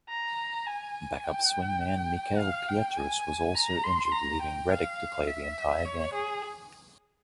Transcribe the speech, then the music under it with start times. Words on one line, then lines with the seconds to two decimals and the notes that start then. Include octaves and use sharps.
Backup swingman Mickael Pietrus was also injured, leaving Redick to play the entire game.
0.09 A#5
0.67 G#5
1.24 G5
2.39 F5
2.68 G5
2.97 G#5
3.55 A#5
3.84 C6
4.12 A#5
4.42 G5
4.71 F5
5.28 E5
5.85 C#5
6.14 G#4